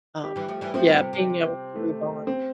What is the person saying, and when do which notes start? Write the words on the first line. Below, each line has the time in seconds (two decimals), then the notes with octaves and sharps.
um, yeah, being able to move on.
0.24 G4
0.36 E3 G3
0.48 F3 A3
0.61 E3 G3
0.74 F3 A3 C4
0.87 G3 B3
0.99 C3
1.13 C3
1.76 A3
2.27 C4